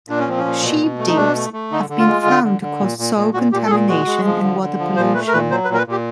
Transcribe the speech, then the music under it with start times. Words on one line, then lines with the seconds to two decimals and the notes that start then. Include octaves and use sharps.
Sheep dips have been found to cause soil contamination and water pollution.
0.08 A#2 D4
0.19 C#4
0.27 F3 C4
0.38 C#4
0.45 A#2
0.63 B2
0.81 B2
0.99 A3
1.07 D#4
1.16 B2 D4
1.35 A3
1.53 A3
1.71 D3 D#4
1.90 D3
1.99 F4
2.08 G#3
2.26 D3
2.44 D3
2.61 D3
2.80 A#2
2.98 A#2
3.15 A#2
3.34 A#2 F#4
3.52 A#2 G4
3.66 A4
3.70 A#2 G#4
3.88 G#3 F#4
4.06 G#3
4.24 F3
4.42 D3
4.61 D3
4.79 F3
4.96 A#2 C5
5.15 A3 B4
5.28 A#4
5.33 A#2 B4
5.51 F#3 C5
5.65 B4
5.69 A#2
5.74 A#4
5.78 B4
5.87 A#2 G4